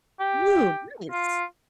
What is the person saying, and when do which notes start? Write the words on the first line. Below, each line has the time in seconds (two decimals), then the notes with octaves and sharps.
Ooh, nice.
0.20 G4
1.12 F4